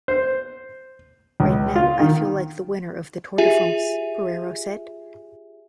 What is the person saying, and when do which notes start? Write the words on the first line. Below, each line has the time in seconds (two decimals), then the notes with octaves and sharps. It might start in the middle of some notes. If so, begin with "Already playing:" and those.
"Right now I feel like the winner of the Tour de France", Pereiro said.
0.08 C5
1.40 C#2
1.76 F4
2.00 D#3
3.38 F4 G4 G#4 E5 G#5